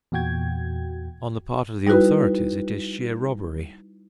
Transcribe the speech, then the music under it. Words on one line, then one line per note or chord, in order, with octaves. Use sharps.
On the part of the authorities it is sheer robbery.
E2 A#2 F#4 G5 G#6
G3 D#4 E4 F#4 B4